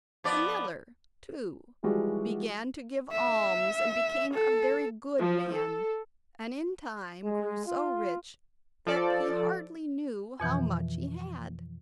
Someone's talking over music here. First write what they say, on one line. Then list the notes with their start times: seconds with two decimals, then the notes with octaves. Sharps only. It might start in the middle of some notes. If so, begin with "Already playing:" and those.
The miller, too, began to give alms and became a very good man, and in time grew so rich that he hardly knew how much he had.
0.24 F3 B3 D5
1.83 E3 F3 G3 G#3 F#4
3.12 E5
4.34 A4
5.20 F3
5.53 A4
7.23 G#3
7.66 F4
8.87 F3 A4 D5
10.40 F2 B2 E3 F3